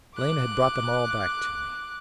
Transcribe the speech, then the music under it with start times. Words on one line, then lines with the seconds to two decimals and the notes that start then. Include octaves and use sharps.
Lena had brought them all back to me.
0.17 D6 F#6